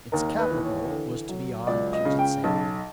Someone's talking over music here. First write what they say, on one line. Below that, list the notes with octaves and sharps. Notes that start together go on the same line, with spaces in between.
Its capital was to be on Puget Sound.
D#2 A#4
B4
E3
C#5
D3
F#3
C#2 D5
D#5
C#3
G5
B1 A5